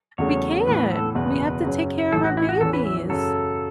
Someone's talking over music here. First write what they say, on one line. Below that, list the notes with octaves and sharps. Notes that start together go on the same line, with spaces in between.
We can't! We have to take care of our babies,
E2 C#3 F#3 A3 C#4 C#5
A2 E3 B3 B4
A4
F#1 E2 B2 B4
F#2 C#3 F#3 C#4
A1 A2 E3 A4
F#4
E4
F#4
E2 E3 C#4 A4
B4
E5
F#2 C#3 F#3 A4